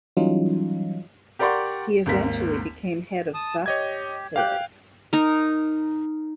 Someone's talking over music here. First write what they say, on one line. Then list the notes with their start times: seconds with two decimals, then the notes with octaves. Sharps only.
He eventually became head of bus sales.
0.17 E3 F#3 G3 C#4 D#4 F4
1.39 G4 A#4 D5 F#5 C6 C#6
2.06 G#1 D#2 A#4 B6
3.34 A5 D#6
3.66 G4 C#5 D#5 G#6
4.36 G4 F5 G5 F#6
5.13 D#4 A#4